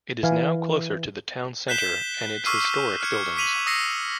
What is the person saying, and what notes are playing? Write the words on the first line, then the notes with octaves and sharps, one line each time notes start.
It is now closer to the town centre and its historic buildings.
E3 F5 G#5
F#6 G6 B6 C7 E7 G7
C#6 D6 E6 F6 C7 D#7
F6 F#6 G#6 C#7
D6 B6 D#7 F7 F#7
D#6 E6 A#6 C7 C#7